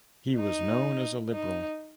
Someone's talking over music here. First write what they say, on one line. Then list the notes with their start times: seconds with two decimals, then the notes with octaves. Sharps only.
He was known as a liberal.
0.36 D#4
1.32 D#4